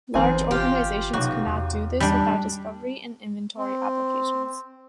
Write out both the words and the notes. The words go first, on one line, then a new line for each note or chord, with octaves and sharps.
Large organisations could not do this without discovery and inventory applications.
G1 E2 C4 G#5
G1 F4 G4
B1 C3 F#4
E2
G3 D4
C4